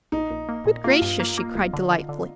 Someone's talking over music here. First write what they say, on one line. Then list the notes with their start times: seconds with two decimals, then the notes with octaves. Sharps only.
"Good gracious!" she cried, delightedly.
0.12 A#1 D#4
0.30 A#1
0.49 A#3
0.65 A#2
0.84 A#3 F4
1.01 G2
1.20 A#3
1.38 A#3
1.55 G1
1.73 D3
1.91 D3
2.09 D3